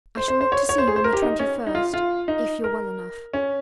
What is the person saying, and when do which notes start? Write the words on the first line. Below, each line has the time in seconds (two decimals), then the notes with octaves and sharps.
I shall look to see you on the twenty-first, if you're well enough.'
0.17 C5
0.28 C5
0.41 C5
0.52 C#5
0.69 C#5
0.78 C5
0.88 G#4
0.96 C5
1.04 A#4
1.13 G4
1.22 D#4
1.39 C#4
1.67 D#4
1.75 F4
1.94 F4
2.28 D#4
2.64 A#4
3.34 C#4